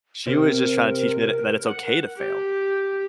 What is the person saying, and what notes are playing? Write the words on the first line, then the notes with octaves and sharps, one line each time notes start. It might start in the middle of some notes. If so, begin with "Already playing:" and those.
She was just trying to teach me that that it's okay to fail
C3 A#4
F#5
G4